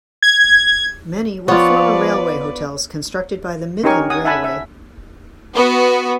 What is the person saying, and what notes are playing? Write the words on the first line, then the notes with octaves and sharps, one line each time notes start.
Many were former railway hotels constructed by the Midland Railway.
G#6
F3 B3 F4 B4 C#5 D5
C#4 D#4 G4 A#4 G#5 C#6
F#5 G#5 D#6
E5 F#5 G#5 A5 B5
E5
B3 F#4